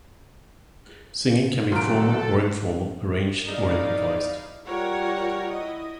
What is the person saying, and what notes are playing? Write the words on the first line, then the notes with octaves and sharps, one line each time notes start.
Singing can be formal or informal, arranged or improvised.
D#1 F#3 F4 A4 A#4 D7
D#4 E4 D5 F5
G3 F4 A#4 C#5 F#5
E4 D#5